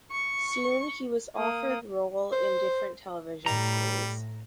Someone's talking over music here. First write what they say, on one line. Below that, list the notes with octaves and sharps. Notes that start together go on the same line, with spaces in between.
Soon he was offered role in different television series.
C#6
A#3 D#6
C5
A2 G3 A#5